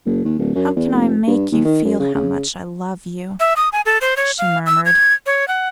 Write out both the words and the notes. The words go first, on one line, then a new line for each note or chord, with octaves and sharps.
'How can I make you feel how much I love you?' she murmured.
F#1
D#2
D1
F#2
E2
F1
G2
D#2
D#3
F#2
C#3
C#3
E5
D#6
G#5
A4
C5
C#5
F5
E6
G#6
C#5
F#5